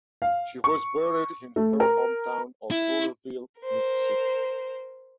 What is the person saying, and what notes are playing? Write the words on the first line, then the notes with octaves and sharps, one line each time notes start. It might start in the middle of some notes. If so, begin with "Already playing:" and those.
She was buried in her hometown of Ruleville, Mississippi.
F5
C#6
A3
A#4
E4
A#4 C5